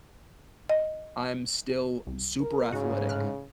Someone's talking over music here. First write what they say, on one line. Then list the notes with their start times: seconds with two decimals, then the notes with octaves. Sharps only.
I'm still super athletic,
0.69 D#5
2.07 C2
2.41 A#4
2.72 G#2 C#3 F#4
3.09 A2 F6 F#6